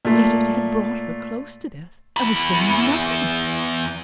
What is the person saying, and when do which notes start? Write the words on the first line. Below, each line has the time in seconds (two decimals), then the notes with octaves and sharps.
Yet it had brought her close to death,--and we still knew nothing.
0.05 A#2 A3
2.17 E2 B5